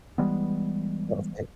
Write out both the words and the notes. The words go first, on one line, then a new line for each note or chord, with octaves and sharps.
Oh, thanks.
E3 G3 G#3 B3